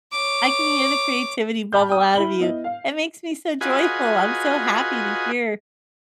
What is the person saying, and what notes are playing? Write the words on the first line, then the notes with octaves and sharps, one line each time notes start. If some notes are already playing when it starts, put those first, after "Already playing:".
I can hear the creativity bubble out of you, it makes me so joyful, I'm so happy to hear
C#5 D6
A5 B5 F6 G6
G5 D#6
E4 B5 F#7 G7
B3 E4 D#5
F5
F4 F#4 G#4 B4 D#5 G#5